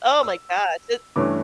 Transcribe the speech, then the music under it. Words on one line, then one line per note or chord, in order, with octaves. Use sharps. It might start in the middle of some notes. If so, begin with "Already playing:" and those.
Oh my gosh, and
E6
G2 E3 A3 C#4 D6